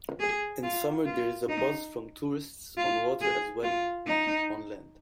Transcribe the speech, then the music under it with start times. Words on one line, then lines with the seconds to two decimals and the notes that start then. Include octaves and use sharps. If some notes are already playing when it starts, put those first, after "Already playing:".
In summer there is a buzz from tourists on water as well on land.
0.20 G#4
0.63 F4
1.06 F4
1.49 D#4
2.78 F4
3.21 G#4
3.64 F4
4.07 D#4